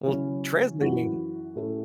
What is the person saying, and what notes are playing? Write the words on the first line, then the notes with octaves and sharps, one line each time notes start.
Well, translating
C#3 F#3 C#4 E4
F#2 E3 C#4 F#4
A2 A3 C#4